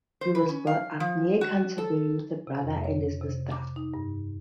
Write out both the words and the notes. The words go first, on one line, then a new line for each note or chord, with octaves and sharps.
He was brought up near Canterbury with a brother and a sister.
C5
B4
C#4
F5
F3
F#4
A4
C3
F2
C#5
C3
D6
D#4
G2